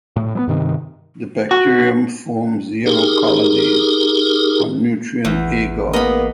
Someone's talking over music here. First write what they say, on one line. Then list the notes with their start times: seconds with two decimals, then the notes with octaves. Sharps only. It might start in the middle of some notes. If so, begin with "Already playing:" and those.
The bacterium forms yellow colonies on nutrient agar.
0.16 A2
0.35 F#3 B3
0.47 G2 C3 D#3
1.51 F#4
2.86 D#4 G4 G#4 A#4
5.25 A1 E2
5.93 A#3 B3 G#4 A#4 D#5 B5